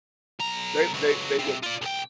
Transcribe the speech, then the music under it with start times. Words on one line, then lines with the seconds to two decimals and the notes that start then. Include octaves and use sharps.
They they they wouldn't.
0.39 B1 A#5
0.94 C#2 F#3
1.39 G2 C3
1.63 F4 D5
1.82 B1 G5